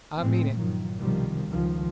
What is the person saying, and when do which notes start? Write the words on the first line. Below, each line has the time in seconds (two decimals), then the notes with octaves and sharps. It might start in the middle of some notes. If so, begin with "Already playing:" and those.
I mean it!
0.19 A2 G#3 C4
0.55 G2 A#2 D#3 F3 F#3
0.98 C2 B2 D#3 F3 G3
1.48 C#2 D#3 F3